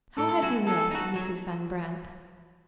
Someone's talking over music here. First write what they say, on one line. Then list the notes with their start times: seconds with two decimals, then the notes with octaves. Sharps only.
"How have you left Mrs. Van Brandt?"
0.18 A2 A4
0.42 F#3 C#4 F#4
0.67 G#3 A4
0.91 D#4 F#4
1.16 F#3